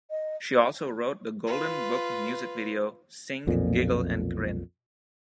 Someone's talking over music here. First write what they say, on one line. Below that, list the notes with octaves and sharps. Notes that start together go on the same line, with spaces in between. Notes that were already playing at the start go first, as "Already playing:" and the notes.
She also wrote the Golden Book Music Video "Sing, Giggle and Grin".
D#5
F4 B4
B1 F2 A#2